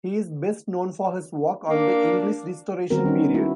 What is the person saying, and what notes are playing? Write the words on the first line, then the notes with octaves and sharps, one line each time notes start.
He is best known for his work on the English Restoration period.
A#3 D4
D#3 G3 B3 C4 F#4 A#4
C#4 D#4
E4 F#4